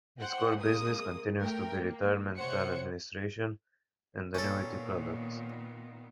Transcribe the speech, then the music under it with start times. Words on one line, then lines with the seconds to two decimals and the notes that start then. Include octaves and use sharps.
Its core business continues to be retirement plan administration and annuity products.
0.20 C5 F#5 G5
0.60 C3 G#3 A#3 D#6
1.41 A3 A#4 G5
1.78 A#3
2.36 C3 C5 C#5 F#5 C#7
4.35 A#2 D#3 B3 C#4 A4